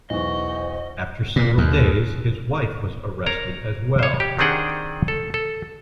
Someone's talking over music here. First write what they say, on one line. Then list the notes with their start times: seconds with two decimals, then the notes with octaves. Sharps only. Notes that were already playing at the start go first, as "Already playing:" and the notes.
After several days his wife was arrested as well.
0.10 B1 E2 F#4 C5 D#5
1.36 A#2
1.58 D#2
3.26 A#4 C5 C#5 A#5
3.99 C5 C#5
4.20 G4
4.39 D#3 C4 D4 G#4 F#5 G5
5.08 A4
5.34 A4